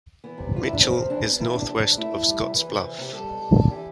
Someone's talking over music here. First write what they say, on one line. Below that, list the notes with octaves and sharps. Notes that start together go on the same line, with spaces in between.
Mitchell is northwest of Scottsbluff.
E3 B3
C3
G3 F4
C3 E4
D4
F3 C4
C3
E3 D4
B3
E3 E4
C3 D4
F3 D4
C3
A3 E4
A3
G3
C3
E3 B4
C3
E3
C3 G4
G3 A4
B2
G3
D3
F4
E3 G4